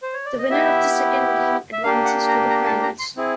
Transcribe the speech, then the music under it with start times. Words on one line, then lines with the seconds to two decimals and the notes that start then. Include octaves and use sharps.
The winner of the second game advances to the finals.
0.03 C5
0.14 C#5
0.26 D5
0.38 D#5
0.50 B3 E4 G4 E5
1.73 E5
1.83 A#3 D4 G4 F5
2.05 F#5
2.28 A#5
2.50 A#5
2.67 A5
2.83 A#5
2.99 C6
3.16 C4 E4 G#4